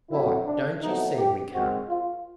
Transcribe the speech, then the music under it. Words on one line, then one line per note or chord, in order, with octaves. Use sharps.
"Why, don't you see we can't?"
A2 F#3 A3 C4 E4
D4
E2 B2 F#3 A3 C4 D#4
G4
G#2 D#3 G#3 C4 F#4
F4